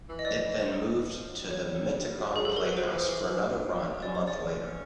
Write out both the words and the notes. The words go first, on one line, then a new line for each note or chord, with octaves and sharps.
It then moved to the Mittagong Playhouse for another run a month later.
E3
D#5
E3 D5
E3
D#3
E3
F3
F#3
G3
F#3 C#5
G3
F#3
G3
F#3
G3
F#3
G3
F#3 G#4
G3 A4
F#3 A#4
B4
F#3 C5
F3
E3
F3
E3
G3
F#3
F3
F#3
G3 D5
C#5
D5
G#3
D4
C#4